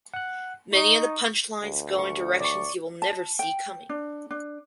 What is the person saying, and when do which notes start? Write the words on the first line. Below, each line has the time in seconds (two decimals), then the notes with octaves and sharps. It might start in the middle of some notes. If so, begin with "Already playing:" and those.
Many of the punchlines go in directions you will never see coming.
0.14 F#5 F#6
0.73 D#4 C#6 D#6
1.62 D2
1.98 C#6
2.40 D5 C#6
3.02 A5
3.39 G5
3.89 D4
4.31 D4